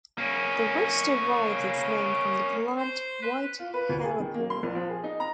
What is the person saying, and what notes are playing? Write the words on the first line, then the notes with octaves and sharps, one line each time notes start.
The ridge derives its name from the plant white hellebore.
A#3 C#4
C5
B4
F4
B4
D2
G#4
D#3
A#3
C6
A#1
F3
G#4
D#4
A#5